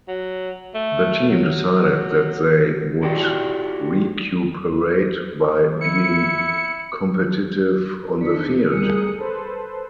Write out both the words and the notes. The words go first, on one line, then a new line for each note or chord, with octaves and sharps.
The team decided that they would recuperate by being competitive on the field.
F#3
A3
F#3
E4 F#4 G4 D5
E4 C#7
E2 D4 D#4 B6 C#7
D2 G3 G#4 A#4 D#6 C#7
A4 B4 C5